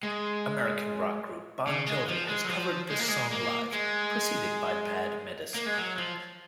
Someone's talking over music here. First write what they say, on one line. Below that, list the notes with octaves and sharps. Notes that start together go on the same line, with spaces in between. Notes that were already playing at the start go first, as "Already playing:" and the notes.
American rock group Bon Jovi has covered this song live preceded by "Bad Medicine".
G#3
C#3
G#3
F3
G#3
F#3
F3
G#3
A#3
G#3
A#3
G#3
A#3
G#3
F#3
F3